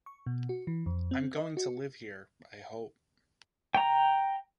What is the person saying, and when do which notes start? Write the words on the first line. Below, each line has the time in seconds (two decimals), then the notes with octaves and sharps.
I'm going to live here, I hope.
0.06 C#6
0.26 B2
0.49 F#4
0.67 E3
0.86 F2
1.11 C4
1.36 D#5
1.57 F#4
3.75 G5 A#5